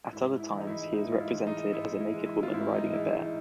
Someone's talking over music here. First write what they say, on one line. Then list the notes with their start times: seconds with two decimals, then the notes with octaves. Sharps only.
At other times he is represented as a naked woman riding a bear.
0.13 G#2 E4
0.39 E4
0.53 E3 G#3 D#4
0.67 E4
0.93 G#2 D#4
1.12 F4
1.20 E4
1.33 E3 G#3
1.47 D#4
1.73 G#2 E4
2.00 E4
2.14 E3 G#3
2.26 E4
2.43 F4
2.54 G#2 E4
2.74 D#4
2.93 E3 G#3 E4
3.13 D#4